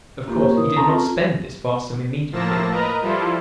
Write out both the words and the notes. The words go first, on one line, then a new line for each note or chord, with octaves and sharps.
Of course, he did not spend this vast sum immediately.
A#3 F4 G4
A#4 C5 C#5
E3 D#6
C4 C#4 A4 A5 A#5
F4
A2 F3 A#3 A5 E6 A#6
A#4 B4 D#5 A#5
F3 G3 E4 F4 A4